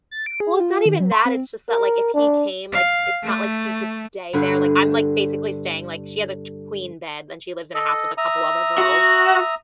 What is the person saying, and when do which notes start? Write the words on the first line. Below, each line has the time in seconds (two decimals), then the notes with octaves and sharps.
Well, it's not even that, it's just that like, if he came, like, it's not like he could stay there, like, I'm, like, basically staying, like, she has a t queen bed and she lives in a house with a couple other girls,
0.11 A6
0.26 D7
0.40 G#4
0.60 F4
0.72 F4
0.86 D#3
1.00 F#3
1.12 C6
1.25 C4
1.69 A#4
2.14 D4
2.73 F5
3.23 A3
4.33 G2 D3 B4 C5
7.74 A4 D#5
8.18 E5 A#5 D#6
8.78 F#4